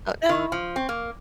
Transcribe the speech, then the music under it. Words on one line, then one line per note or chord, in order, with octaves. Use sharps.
Oh, no.
D#3
F3
C4
A#3